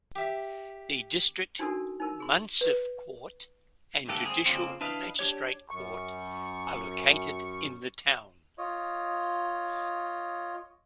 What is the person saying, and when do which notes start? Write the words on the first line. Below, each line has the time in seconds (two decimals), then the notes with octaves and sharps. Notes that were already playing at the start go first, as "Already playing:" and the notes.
The District Munsiff Court and Judicial Magistrate Court are located in the town.
0.16 G4 E5
1.59 D4 D#4 F#4 A4 A#4
2.00 D#4 A#4
2.20 G#4 C6
2.61 B4
4.09 D2 G2 A#3 B3 G4 A4
4.25 C4 G#4
4.46 F2 C#3 F3 A#3 C4
4.81 D4 E4 B4 D#5 F5
5.19 D4 G4 C#5
5.71 F#2 C#6
8.58 F4 C#5 D#5